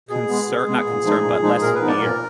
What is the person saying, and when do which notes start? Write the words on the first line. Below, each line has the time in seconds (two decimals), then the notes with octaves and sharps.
concer not concern, but less fear
0.09 B2 G#4
0.28 G#3 B3
0.47 B2
0.66 G#3 B3
0.85 A#2
1.04 F3 G#3 D#4
1.24 A#2
1.42 F3 G#3 D#4
1.62 A#2 A#4
1.75 B4
1.81 F3 B3 D#4
1.88 D5
2.00 A#2 A#4